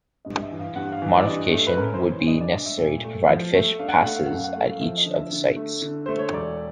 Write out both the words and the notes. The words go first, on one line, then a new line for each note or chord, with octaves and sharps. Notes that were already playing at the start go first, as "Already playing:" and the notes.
Modification would be necessary to provide fish passes at each of the sites.
G2 D#5
D#5
E5
E3
F5
G2 F#5
F5
E3
D5
G2 D#5
A3
B4
C#4 A#4
C5
E3
C#5
D4 D#5
D5
D4 D#5
E5
A#2
A3
F3
A3
D4 F5
F#5
F5
A3 F#5
F5
F#5
F#2 F5
F#5
A3 F5
F5
F3 E5
D#5
D3
E5
D3
A3
D3
A3 C5
C#5
E1 D5